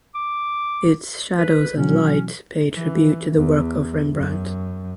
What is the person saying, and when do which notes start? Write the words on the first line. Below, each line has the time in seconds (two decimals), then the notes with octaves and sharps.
Its shadows and light pay tribute to the work of Rembrandt.
0.15 D6
1.38 B4
1.77 B2 E3 F#3 C#4
2.73 E3
3.33 E2
4.14 F#2